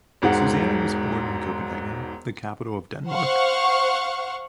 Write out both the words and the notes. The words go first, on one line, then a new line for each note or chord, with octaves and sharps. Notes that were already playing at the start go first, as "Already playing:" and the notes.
Susanna was born in Copenhagen, the capital of Denmark.
E1 G#2 G#3 F#5
C5 F5 F#5 C#6